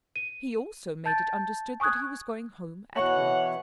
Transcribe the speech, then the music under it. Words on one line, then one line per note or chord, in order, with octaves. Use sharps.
He also made it understood that he was going home at once.
D#7
A5 G6 A6
G#5 C#6 D#6 F#6 G#6
B2 E3 C#5 F#5